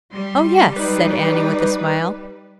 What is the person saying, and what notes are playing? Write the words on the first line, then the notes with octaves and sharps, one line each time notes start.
"Oh yes," said Annie, with a smile.
G3 C6
D#4 B4 D5